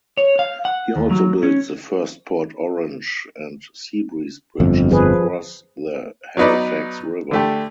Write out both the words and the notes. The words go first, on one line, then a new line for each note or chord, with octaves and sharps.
He also built the first Port Orange and Seabreeze bridges across the Halifax River.
C#5
F5
F#5
D#2
F#3
C#4
G1 F2
F3 G#4 B4
F#3 B3 D#4 B4 D5
D3 A3 G4